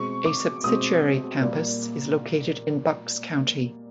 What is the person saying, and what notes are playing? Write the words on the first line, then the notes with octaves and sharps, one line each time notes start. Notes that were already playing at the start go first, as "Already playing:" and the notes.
A subsidiary campus is located in Bucks County.
Already playing: B2 G#3 C4 C#6
D6
B2 G#3 C4 D#6
A#2 G3 A#3